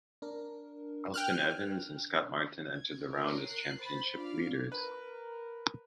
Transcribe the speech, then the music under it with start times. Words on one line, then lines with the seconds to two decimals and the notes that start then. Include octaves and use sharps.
Elfyn Evans and Scott Martin entered the round as championships leaders.
0.22 D4 A#4
1.14 G5 F6 F#6
2.73 G#6
3.11 A#4 C#5
3.45 A#4 F#6 C7
3.78 C5 B5 A6
4.14 D4 F4 D5 F5 F6
4.72 A#4 B4